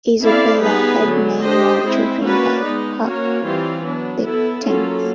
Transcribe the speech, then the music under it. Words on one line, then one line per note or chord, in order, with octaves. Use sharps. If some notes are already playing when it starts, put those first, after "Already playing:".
Isabella had nine more children by Hugh the Tenth.
C4 E4 A4 D5 F5
G3 B3 D#4 G#4 B4
D3 F#3 B3
D4 G4 C5 D#5
G#3 C4 E4
A#3 C#4 F#4 B4 D5
G#3 B3 D#4
A#3 C#4 F#4 A#4 C#5
E3 G3 C4 F4
F#3 B3 D4
B3 E4 A4
F#3 A#3 C#4 F4 A4